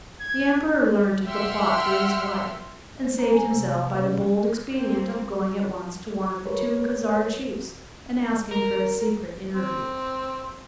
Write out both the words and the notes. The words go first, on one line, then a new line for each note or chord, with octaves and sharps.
The emperor learnt of the plot through his wife, and saved himself by the bold expedient of going at once to one of the two Khazar chiefs and asking for a secret interview.
G#6
E5 F#5 G5 C6 E6 F6
C5
A#3
G#5
C3
F5
B2
C#4
A#3 C4
A#4 B4 C#5
A#4
C4